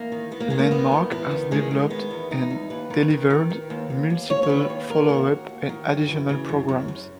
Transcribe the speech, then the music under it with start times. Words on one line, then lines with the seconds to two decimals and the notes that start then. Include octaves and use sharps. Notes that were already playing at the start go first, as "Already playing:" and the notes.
Landmark has developed and delivered multiple follow-up and additional programs.
Already playing: E2 A#3
0.12 D#3
0.31 D#3 B3
0.40 A#3
0.50 D#3 G#3
0.59 A#3
0.71 D#3 B3
0.92 E2
1.11 E2 B3
1.31 D#3
1.51 D#3 G#3
1.71 D#3
1.90 D#3 B3
2.11 E2
2.31 E2 D#4
2.50 E2
2.70 D#2 B4
2.90 D#3
3.10 D#3
3.30 D#3
3.50 D#3
3.70 D#2
3.90 D#2
4.10 D#2
4.30 D#2 C#5
4.43 C#5
4.49 D#3 B4
4.70 D#2
4.89 D#3 A#4
5.09 D#2 F#4
5.29 D#2
5.49 D#2
5.69 D#3
5.89 F#2
6.09 E3
6.29 C#3
6.49 F#2
6.69 F#2
6.88 F#2